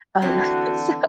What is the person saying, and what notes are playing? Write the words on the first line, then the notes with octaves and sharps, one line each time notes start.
Um, so
D3 E3 C4 E4 F#4